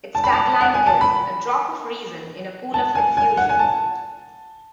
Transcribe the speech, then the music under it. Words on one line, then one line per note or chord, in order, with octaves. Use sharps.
Its tagline is "a drop of reason in a pool of confusion".
A5
B5
A5
F#5
G#5
A5
B5
A5
G#5
G#5
F#5
G#5
A5